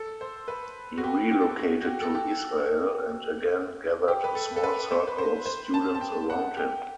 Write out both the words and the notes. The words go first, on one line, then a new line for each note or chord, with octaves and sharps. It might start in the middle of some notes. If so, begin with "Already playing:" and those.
He relocated to Israel, and again gathered a small circle of students around him.
Already playing: A4
C5
B4
F#4
G4
G4
A4
G4
F#4
F#4
G4
A4
G4
G4
B4
A4
A4
B4
C5
B4
C5
C5
A5
A5
G5
F#5
G4